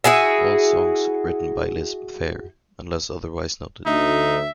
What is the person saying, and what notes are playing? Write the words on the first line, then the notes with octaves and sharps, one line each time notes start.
All songs written by Liz Phair unless otherwise noted.
E4 F#4 G#4 E5
D2 D#4 E5